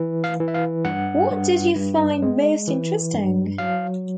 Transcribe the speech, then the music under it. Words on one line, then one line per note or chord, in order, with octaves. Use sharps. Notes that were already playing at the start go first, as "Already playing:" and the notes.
What did you find most interesting?
Already playing: E3
F5
E3
E5
F5
G2 F#5
G2
G2
G#3
E3
G2
F#3 F5